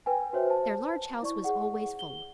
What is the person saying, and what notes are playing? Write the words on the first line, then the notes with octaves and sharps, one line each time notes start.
Their large house was always full.
B4 G5 G#5
F#4 C5 C#5 E5
C5 A5
E4 D5 C#6
G#4 F#5
G7